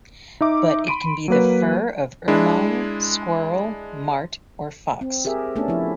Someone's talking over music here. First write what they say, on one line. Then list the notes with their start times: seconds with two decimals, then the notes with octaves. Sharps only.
But it can be the fur of ermine, squirrel, mart or fox.
0.41 D#4 E5 D6
0.87 B5 C6 D7 D#7
1.28 F#3 A#3 B4
2.28 G#3 D4 E4
5.01 C4
5.25 G4 G#4 A#4 E5
5.56 A3 B3 C#4 D4 A4
5.68 F3 E4